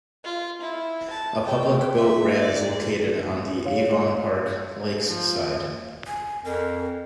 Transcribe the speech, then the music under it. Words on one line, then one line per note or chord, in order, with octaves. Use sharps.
A public boat ramp is located on the Avon Park Lakes side.
F4
E4
A5
G5
E5
D5
C#5 F5
F3
G#5
F2 A#4